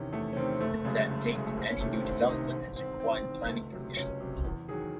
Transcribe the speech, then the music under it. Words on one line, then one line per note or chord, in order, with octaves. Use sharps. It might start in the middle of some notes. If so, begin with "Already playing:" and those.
Since that date any new "development" has required planning permission.
Already playing: E2 C3 D#3 C#4
E2 A3
C#4
C3 D#3 C4
C4
F#1 A3
F#2 C#3 G#3
F#1
F#2 C#3 G#3
A3
C2 C4
C#4
C3 D#3 A3
C4
C2 C4
C3 D#3 D#4
A1 C4
G#2 D#3 C4
A1 C4
G#2 D#3
C#2 A3
C3 F#3
C#2 C#4
C3 F#3
E2
D#3 F#3 G#4